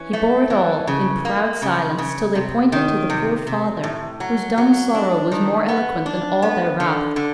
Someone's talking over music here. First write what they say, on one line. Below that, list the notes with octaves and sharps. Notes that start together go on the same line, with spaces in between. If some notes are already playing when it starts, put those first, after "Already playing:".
He bore it all in proud silence till they pointed to the poor father, whose dumb sorrow was more eloquent than all their wrath.
Already playing: E3 C#4
A3
E3
C#3
A#3
C#3
C#3
C3
D#3
C3
C3
A2
F#3
F#3
D4
D#3
B3
D4
B3
D3
D3